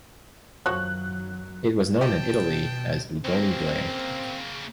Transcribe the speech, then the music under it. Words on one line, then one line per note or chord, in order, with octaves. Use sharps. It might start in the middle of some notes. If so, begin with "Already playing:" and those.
It was known in Italy as Ugone Blair.
F#2 D#3 F3 F#3 F#4 C#5 F#6
B2 G4 D#5 G5 A5
C#3 A#3 C4